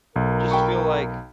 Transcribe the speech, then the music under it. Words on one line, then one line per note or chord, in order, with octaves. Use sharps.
I just feel like,
B1 A#4
G5 B5 C#6